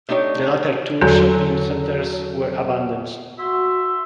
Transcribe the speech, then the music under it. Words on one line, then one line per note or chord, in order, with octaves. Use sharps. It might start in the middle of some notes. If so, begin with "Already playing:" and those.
The latter two shopping centres were abandoned.
A3 D4 D#4 G4 C#5
E2 D3 F#3 A4 C6
F#4 E5 C6